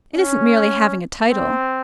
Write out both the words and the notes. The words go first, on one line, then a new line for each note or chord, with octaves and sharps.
It isn't merely having a title.
C#4
C4